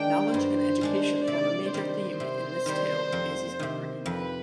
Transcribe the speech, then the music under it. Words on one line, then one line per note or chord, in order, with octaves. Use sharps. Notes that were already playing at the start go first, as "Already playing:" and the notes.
Knowledge and education form a major theme in this tale of Maisie's upbringing.
Already playing: D#3 G#3 D4 G5
G2 C5
C5
D#3 G#3 D4
C5
C3 D5
D#3 G3 C5
C3
D#3 G3
F2
C3 D#3
F2 B4